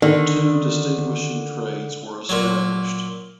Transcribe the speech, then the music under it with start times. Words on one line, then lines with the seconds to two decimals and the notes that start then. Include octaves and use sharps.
Two distinguishing traits were established.
0.02 D3 D#3
2.29 A#2 F#3